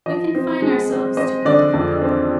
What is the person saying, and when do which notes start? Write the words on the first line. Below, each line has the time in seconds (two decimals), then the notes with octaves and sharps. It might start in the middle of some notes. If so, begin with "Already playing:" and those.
We confine ourselves to indicating them.
0.06 F3 D#5
0.35 C4
0.62 G#3
0.90 C4
1.17 C4 D#5
1.45 D3 D5
1.74 F2
2.01 C4